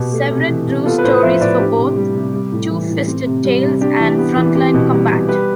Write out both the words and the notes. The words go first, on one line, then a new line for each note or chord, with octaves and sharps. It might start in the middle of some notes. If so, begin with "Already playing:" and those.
Severin drew stories for both "Two-Fisted Tales" and "Frontline Combat".
Already playing: B2 G4
A3
C3
E3
C3
B3 F4 A4
B4
A2 A4 C5
F3 C5 E5
A2 B4 D5
D4 G4
C3
G3
C3
G3
A2
E3
A2
C4
C3
G3
C3
D4 G4
E3
B3
E3
C4 G4
B2
G3
B2
G3 G4 B4